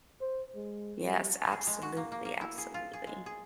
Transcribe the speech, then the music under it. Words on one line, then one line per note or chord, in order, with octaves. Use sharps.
Yes, absolutely, absolutely.
C5
G#3
G3
G#4
G#3
F#4
A#3
A#3
A#3
E4
G#4
F4
G#4
G#3
G#4